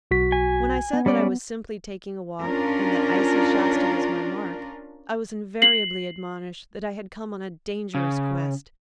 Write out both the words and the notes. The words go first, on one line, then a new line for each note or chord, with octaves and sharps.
When I said that I was simply taking a walk, and that icy Shasta was my mark, I was invariably admonished that I had come on a dangerous quest.
B1 F#4 B6
G#5
B3
G3 C#4 D5
C#4 D4 F4 A#4
C7 F#7
C#3